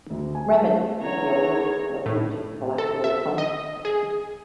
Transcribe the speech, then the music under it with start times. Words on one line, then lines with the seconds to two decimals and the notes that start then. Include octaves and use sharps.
Remedies may be awarded for breach of a collateral contract.
0.10 D2
0.35 G#5
0.56 A5
1.00 E2 C#5 A#5
2.06 A2
2.78 A4
3.04 E5
3.38 D#5
3.85 G#4